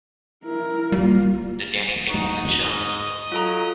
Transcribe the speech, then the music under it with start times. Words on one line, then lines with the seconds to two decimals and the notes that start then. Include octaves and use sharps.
The Danny Finkleman Show.
0.44 E4 A#4
0.92 G3 A#3 F4
2.08 D#4 F#4
2.60 G#2 D#5
3.32 F#3 F4 A4 A#5